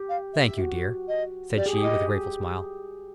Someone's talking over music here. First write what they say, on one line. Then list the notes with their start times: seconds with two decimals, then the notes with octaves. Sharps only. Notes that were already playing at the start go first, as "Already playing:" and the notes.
"Thank you, dear," said she, with a grateful smile.
Already playing: G4
0.09 F5
0.34 E5
0.58 F#4
1.08 D#5
1.57 G4 D5
1.66 G#4
1.73 G4
1.83 D#5